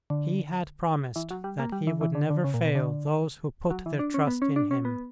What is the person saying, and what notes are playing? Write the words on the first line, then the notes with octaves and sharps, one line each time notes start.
He had promised that He would never fail those who put their trust in Him.
D3
E3
F#3
G3
A#3
G3
E3
E3
D3
D3
C#3
A#2
B2
D3
F#3
E3
D4
C#4
B3
C#4
D4
C#4
B3